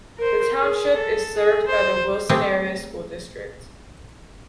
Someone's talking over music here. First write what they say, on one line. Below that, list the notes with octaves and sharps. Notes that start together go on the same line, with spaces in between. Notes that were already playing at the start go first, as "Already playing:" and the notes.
The Township is served by the Wilson Area School District.
A#4 C5
G#4
A4
G#4
C5
A3 C4 G4 G#4